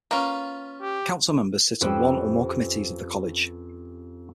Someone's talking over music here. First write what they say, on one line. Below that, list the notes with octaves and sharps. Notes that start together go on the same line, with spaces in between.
Council members sit on one or more committees of the College.
A#3 C#4 F4 B4
G4
F2 C#4 G4 B4 C5 E6